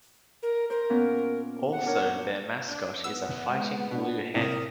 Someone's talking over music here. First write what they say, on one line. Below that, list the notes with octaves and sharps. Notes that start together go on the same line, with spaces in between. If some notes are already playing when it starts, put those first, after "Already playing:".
Also their mascot is a fighting blue hen.
A#4
A#4 C5
A#2 B3 C#4
F#5
D4 A#4 C#5
D4
B3 F#5 E6
G#3
B2 D4
A2 C3 A#4 D#6